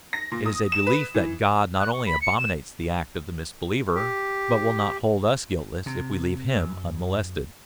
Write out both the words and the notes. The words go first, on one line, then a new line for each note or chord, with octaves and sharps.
It is a belief that God not only abominates the act of the misbeliever, but will not hold us guiltless if we leave him unmolested.
A#6
A#2
D#6
E7
B4
E3
F#6
C#6
B5
C#7
E7
G4
C3
F#2